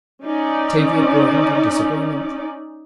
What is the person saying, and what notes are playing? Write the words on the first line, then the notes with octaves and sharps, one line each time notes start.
Tavia groaned in disagreement.
C#4 D#4 D5